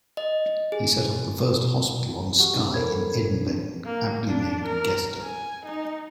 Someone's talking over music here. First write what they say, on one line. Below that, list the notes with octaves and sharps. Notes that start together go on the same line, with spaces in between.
He set up the first hospital on Skye in Edinbane, aptly named Gesto.
D#5
G#4
E3
G3
F#4 G4 F#5 C#6
A4 A#4 C5 C#5 B5 G#6
E3 F3 C4 D4
A#3
D4
A#4
G#5
D#4